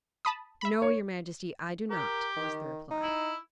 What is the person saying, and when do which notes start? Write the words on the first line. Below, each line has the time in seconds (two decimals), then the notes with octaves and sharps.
"No, your Majesty; I do not," was the reply.
0.25 A5 B5 D#6
0.61 E5 B5
0.82 C#5
1.90 G4 A#4
2.36 D#3
2.91 D#4
3.03 E4